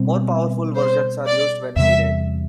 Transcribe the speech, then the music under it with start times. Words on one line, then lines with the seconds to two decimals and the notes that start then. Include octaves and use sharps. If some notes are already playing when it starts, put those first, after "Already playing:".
More powerful versions are used when needed.
Already playing: B2 G3 C4
0.75 C5
1.27 D5
1.76 E2 C3 G3 E5